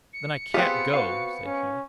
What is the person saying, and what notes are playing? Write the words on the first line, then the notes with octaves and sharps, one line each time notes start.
'Then I can't go,' said he.
C#7
B3 C4 F4 G4 G#4
F#4 B4 F5
C#4